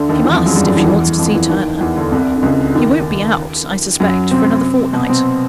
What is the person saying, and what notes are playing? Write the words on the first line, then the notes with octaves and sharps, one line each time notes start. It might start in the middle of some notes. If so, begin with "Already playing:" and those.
She must, if she wants to see Turner; he won't be out, I suspect, for another fortnight.
Already playing: D2 D3
D#2 D#3
E2 E3
F2 F3
F#2 F#3
G#3
G2 G3
F#2 F#3
E2 E3
D#3
E2 E3
F2 F3
E2 E3
D#2 D#3
E2 E3
D2 D3
C2 C3
D3
C#2 C#3
D#2 D#3
F#2 F#3
C3 C4
B2 B3
C3 C4